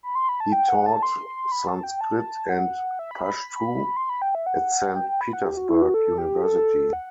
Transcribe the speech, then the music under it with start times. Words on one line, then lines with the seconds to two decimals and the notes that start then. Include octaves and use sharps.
He taught Sanskrit and Pashtu at Saint Petersburg University.
0.03 B5
0.15 C6
0.29 B5
0.40 A5
0.52 G5
0.69 F#5
0.86 A5
1.03 C6
1.52 B5
1.67 A5
1.83 G5
2.01 A5
2.49 F#5
2.99 E5
3.11 B5
3.24 B5
3.36 B5
3.97 C6
4.09 B5
4.22 G5
4.35 E5
4.46 F#5
4.96 G5
5.08 G5
5.21 B5
5.33 F#5
5.45 G4
5.57 F#4
5.69 E4
5.82 F#4
5.94 A4
6.18 G4
6.43 A4
6.93 F#5